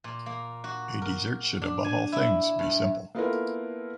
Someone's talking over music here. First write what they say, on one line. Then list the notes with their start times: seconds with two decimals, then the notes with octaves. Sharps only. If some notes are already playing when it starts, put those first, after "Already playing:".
A dessert should above all things be simple.
0.04 A#2
0.26 A#3
0.64 F#4
1.02 A#4
1.62 D4
1.84 G#5
2.12 E4
2.59 G2
3.15 A#3 B3 E4 F4 A4 A#4